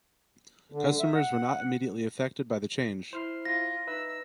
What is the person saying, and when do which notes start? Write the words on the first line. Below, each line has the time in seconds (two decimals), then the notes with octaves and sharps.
Customers were not immediately affected by the change.
0.72 D3
0.99 E5
1.15 F#5
3.13 E4 C5 F6 C7
3.45 F4 A#6
3.87 D#4 B4 E5 E6